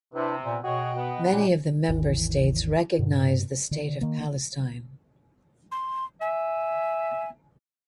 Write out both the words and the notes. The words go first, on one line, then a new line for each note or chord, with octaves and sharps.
Many of the member states recognise the State of Palestine.
C3 D4 E4 B4
A#2 B3
B2 F#4 G#4 C#5 D#5 G5
B3
A#2 C#4 D#4 G4
G#1 D#2 E3
G2 B2
D3
D#3 A#3
C6
E5 G#5